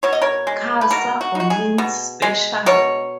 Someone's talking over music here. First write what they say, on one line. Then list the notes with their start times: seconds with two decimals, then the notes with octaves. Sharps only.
Khasa or means special.
0.03 B2 C#5
0.13 D#5
0.22 A#4 C#5
0.47 G#3
0.81 B4
0.90 B2 F#4 A#4
1.21 F#4
1.35 D#4 F#4
1.50 G#4
1.78 B2
2.22 G#3
2.66 B2 A#4 C#5